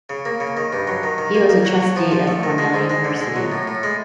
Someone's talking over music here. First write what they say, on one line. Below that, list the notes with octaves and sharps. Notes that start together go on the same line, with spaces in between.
He was a trustee of Cornell University.
C#3
A#3
C#3
D#3
G2
F#3
D#3
D#3
A#3
A#3
F#3
F#3
F3
F3
A3
D#3
G#3
G#2
G#3
D3
G#3
F#3
A2
A2
G#3